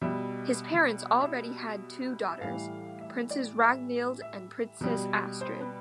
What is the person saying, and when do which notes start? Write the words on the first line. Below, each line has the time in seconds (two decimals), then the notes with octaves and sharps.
His parents already had two daughters, Princess Ragnhild and Princess Astrid.
0.01 B2 G3 E5
1.21 E5
2.30 E5
2.41 A2 E3 G3 F5
3.01 E5
3.31 D5
3.61 E5
4.22 E5
4.81 B2 G3
5.41 C5
5.61 B4